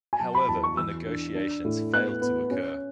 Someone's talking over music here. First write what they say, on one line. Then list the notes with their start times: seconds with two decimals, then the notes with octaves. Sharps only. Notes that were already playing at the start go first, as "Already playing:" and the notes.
However, the negotiations failed to occur.
0.13 G#5
0.20 F#3 A5
0.35 B5
0.48 E2 A5
0.63 C#6
0.77 E3 E6
1.06 D4
1.35 D4
1.64 A2
1.93 B3 F#6
2.21 B3
2.51 C#4